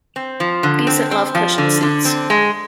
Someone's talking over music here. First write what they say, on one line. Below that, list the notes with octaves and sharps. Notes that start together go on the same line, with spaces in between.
Decent love cushion seats.
C4
F3
D3
C4
C4
F3
D3
D3
C4
G#3